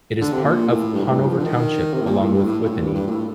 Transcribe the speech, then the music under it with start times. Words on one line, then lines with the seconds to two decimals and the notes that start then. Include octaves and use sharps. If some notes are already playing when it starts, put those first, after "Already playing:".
It is part of Hanover Township along with Whippany.
0.21 D3
0.32 C3
0.43 A#2
0.68 A2
0.93 G2
1.04 A2
1.10 G2
1.27 F3
1.38 D3
1.44 D#3
1.94 C3
2.01 A2
2.07 A#2
2.19 A2
2.32 G2
2.44 A2
2.65 A#2
2.70 A2
2.82 G2
2.95 G2
3.07 A#2
3.11 A2